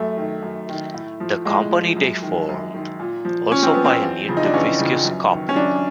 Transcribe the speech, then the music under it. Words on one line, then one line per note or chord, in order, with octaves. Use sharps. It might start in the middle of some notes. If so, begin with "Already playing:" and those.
The company they formed also pioneered the viscous coupling.
Already playing: F#2 A3
D#3
F#2
D#3
A2
F3
A2 G#3
F3
F#2
D#3
F#2
D#3
A#2
F3
A#2 C#4
C4
F3 B3
C4
E2
C#3 F3
D#4
D4
E2 C#4
C#3 F3
F#2
D#3
C#4
F#2 D4